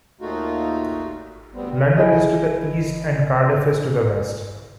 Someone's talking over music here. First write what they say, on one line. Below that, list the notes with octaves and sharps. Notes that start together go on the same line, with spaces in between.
London is to the east, and Cardiff is to the west.
D#2 A#2 A3 D#4 F4 F#4
D2 G3 B3 C4
E4 G#4 A4 D#5